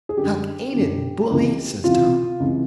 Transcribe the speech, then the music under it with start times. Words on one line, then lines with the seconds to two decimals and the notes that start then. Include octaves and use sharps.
"Huck, ain't it bully!" says Tom.
0.09 G#4
0.17 F#2 D3 G4
0.73 F#2 D3
1.29 C#2 C3 E3
1.84 C#2 C3 E3 F4
2.40 C#2 C3 E3